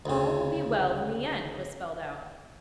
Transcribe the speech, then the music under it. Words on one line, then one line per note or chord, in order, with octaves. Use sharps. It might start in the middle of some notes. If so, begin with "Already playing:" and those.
"All will be well in the end," was spelled out.
D2 C#3